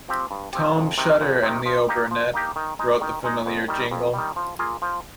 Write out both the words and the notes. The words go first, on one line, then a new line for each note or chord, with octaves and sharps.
Tom Shutter and Leo Burnett wrote the familiar jingle.
F3 C4 G4
G2
F3 C4 G4
F2
C3 D#3
F2
C3 D#3
F3
A#3 D#4 G4
F3
A#3 D#4 G4
D#3
G#3 D#4
D#3
G#3 D#4
F2
D#3 G3
F2
D#3 G3
F3
A#3 F4 G#4
F3